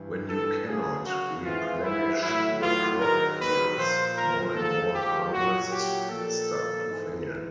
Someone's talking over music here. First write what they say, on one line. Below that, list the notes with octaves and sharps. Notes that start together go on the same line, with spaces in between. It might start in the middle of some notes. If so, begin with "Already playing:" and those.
When you cannot replenish your crop fields, more and more harvests start to fail.
Already playing: G2 E3
A4
F#2 C#3 F#3 G#4
F#4
G#2 E3 F4
E4
A2 F#3 E4
F4
G#2 D#3 F#3 A#4
B4
A#2 F3 C5
A#4
G#2 F3 A4
G4
A#2 F#3 F#4
G4
A#2 F3 A4
G#2 E3